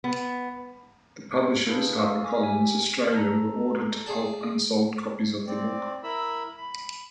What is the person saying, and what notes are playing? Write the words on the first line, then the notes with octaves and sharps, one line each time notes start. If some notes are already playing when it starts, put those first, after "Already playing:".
The publishers, HarperCollins Australia were ordered to pulp unsold copies of the book.
B3
A#3 D4 E4 G#4 B4 A5
A4 F5 C#6 D#6 E6
G#5 F6
G4 E5 G#5
A4 A#5
G#4 D5 A5
C4 D5
E4 A#4 B5 E6
B5